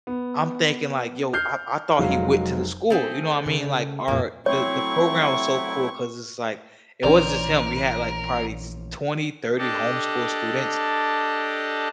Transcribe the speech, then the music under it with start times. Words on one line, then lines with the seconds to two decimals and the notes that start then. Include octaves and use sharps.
I'm thinking, like, yo, I I thought he went to the school. You know what mean? Like, our the the program was so cool 'cause it's, like, it wasn't just him. We had, like, probably s twenty, thirty homeschool students
0.07 B3
1.33 F6 G6 C7
1.98 F1 F#3 G#3 F5
2.90 A3 C4 G#4
3.46 C#3
4.08 F2 A#2 A#3
4.46 F#3 A3 C4 E4 C#5 C#6
7.04 A#1 E3 C#4 A#4 C5 D5
9.58 D4 G4 A4 D#5 A5